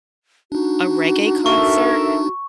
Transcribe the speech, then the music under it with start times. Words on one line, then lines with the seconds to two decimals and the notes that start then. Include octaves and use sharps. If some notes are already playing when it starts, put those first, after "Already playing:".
a reggae concert,
0.52 D4 D#4 F#4
1.46 A4 A#4 E5 C#6